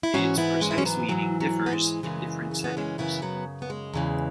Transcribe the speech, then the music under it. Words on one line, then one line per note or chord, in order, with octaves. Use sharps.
Its precise meaning differs in different settings.
E4
G#2 E3 C#4 F#4
B3 E4
G#3 C#4
E4
C#4
F#3 B3
G#2 E3 F#3
F#3
B3
G#3
F#2 C#3 E3 G#3
C#4
B3
G#3 C#4
F#2 C#3 E3 B3 E4
F#3 B3
B3
G#3
E2 C#3 E3